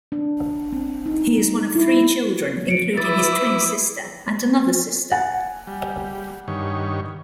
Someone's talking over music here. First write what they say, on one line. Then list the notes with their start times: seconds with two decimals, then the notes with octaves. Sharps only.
He is one of three children, including his twin sister, and another sister.
0.12 D4
0.72 C4
1.06 D#4
1.38 G3
1.76 E4
2.68 C#7 D7
2.97 E4 B4 D6 D#6 A6
5.12 F#5 G#5 A6
5.67 G3
6.48 G2 D#3 C#5